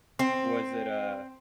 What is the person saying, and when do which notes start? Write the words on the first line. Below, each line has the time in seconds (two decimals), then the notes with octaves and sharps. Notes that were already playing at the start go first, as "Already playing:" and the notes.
Was it a
0.19 C4